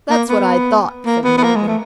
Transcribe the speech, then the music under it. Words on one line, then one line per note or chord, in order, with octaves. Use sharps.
"That's what I thought," said Morgan.
A#3
B3
A#3
B3
B3
A#3
G#3
A3